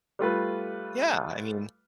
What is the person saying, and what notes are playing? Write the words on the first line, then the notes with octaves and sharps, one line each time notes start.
Yeah, I mean
G3 A3 F4 B4